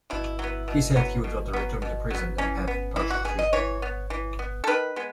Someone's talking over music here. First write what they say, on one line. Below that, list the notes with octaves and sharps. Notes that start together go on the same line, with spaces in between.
He said he would rather return to prison than have partial freedom.
B2 E4
F#3 B3
B2
F#3 B3
B2
F#3 B3
B2
F#3 B3
E3 C#4
B3
E3 E4
F#4
B3 G#4
D#5
E3 C#5
B3
E3
B3
A4
D#3 B4
G#3 B3